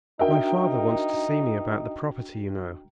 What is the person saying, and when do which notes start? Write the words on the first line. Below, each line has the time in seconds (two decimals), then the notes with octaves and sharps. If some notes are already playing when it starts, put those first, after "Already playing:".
"My father wants to see me about the property, you know."
0.19 D4 D#4 F#4 A#4 D#5 E5 G5